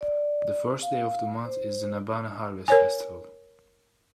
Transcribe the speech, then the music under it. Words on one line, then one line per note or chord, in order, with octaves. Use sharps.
The first day of the month is the Nabanna harvest festival.
D5
F5
C5
A#4 C#5 G#5